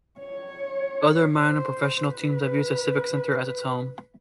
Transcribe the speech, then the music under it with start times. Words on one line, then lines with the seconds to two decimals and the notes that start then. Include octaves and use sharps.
Other minor professional teams have used the Civic Center as its home.
0.20 C#5
1.44 C5
2.07 B4